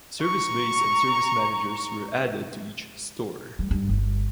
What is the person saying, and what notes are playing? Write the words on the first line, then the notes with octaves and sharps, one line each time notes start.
Service bays and service managers were added to each store.
A#5 C#6
G3
G2
G1